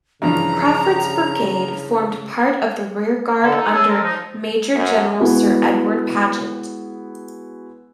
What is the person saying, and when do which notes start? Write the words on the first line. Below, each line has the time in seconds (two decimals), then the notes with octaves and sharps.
Craufurd's Brigade formed part of the rearguard under Major General Sir Edward Paget.
0.22 G2 C#3 E3 F3 A#5
3.44 D3 A4
3.56 D#4 A4
3.71 C#4 G#4 A4 E5
3.87 C#3 G#3 C4 A4 A#4
4.02 F3 D#4
4.75 F#2
5.20 G#3 B3 E4 F#4 G#4